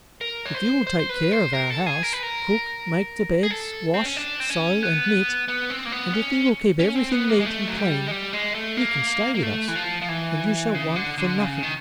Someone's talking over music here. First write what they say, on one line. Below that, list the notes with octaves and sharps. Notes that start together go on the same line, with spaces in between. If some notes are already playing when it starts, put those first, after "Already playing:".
"If you will take care of our house, cook, make the beds, wash, sew, and knit; and if you will keep everything neat and clean, you can stay with us, and you shall want for nothing."
A#4
C#5
C5
C5
C5
B4
C5
A#4
A4
G#4
A#4
B4
A#4
G#4
A4
C4
C#4
D4
C4
C#4
B3
B3
C4
A#3
B3
C#4
C#4
C4
B3
A#3
G#3
A3
F#3
G3
G#3
G3
G#3
A3
A#3
A#3
A3
E3
F3
F3
E3
C#3
D3
D3
C#3
D#3